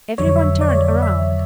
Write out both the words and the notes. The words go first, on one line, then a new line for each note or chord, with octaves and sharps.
Every one turned round.
F2 D3 F#3 C#5
E5
D5
C#5
D5
E5